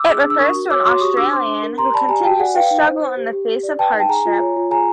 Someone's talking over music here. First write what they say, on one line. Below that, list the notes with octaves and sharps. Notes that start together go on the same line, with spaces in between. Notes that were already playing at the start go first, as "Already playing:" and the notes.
It refers to an Australian who continues to struggle in the face of hardship.
Already playing: D6 E6
G#4
D4
E6
A#4 C#6 D#6
F#4
C#5 D6 E6
F#4 C6 D6
G4 C#6 D#6
D4 D6 E6
C5 C6 D6
D4
A#4
G4 A#5 C6
D5 A5 B5
G4 G#5 A#5
F#4 G5 A5
D5 F#5 G#5
B4 F5 G5
D#4
C5
C5
G4
G4
G4
D5
B4 G5 A5
D#4
G5 A5
G#4 G#5 A#5
F4
C#5
F4
G#4 G#5 A#5